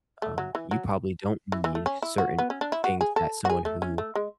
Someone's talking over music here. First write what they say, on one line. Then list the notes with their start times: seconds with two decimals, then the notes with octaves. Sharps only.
um, you probably don't need certain things that someone who
0.22 A3
0.38 F#3
0.55 E3
0.71 F#3
1.52 E3
1.64 E3
1.75 A3
1.86 C#4
2.02 E4
2.18 F#4
2.38 B3
2.50 C#4
2.61 D4
2.72 E4
2.84 F#4
3.01 G#4
3.16 A4
3.45 F#4
3.49 G#4
3.65 A3
3.82 C#4
3.98 A3
4.15 G#3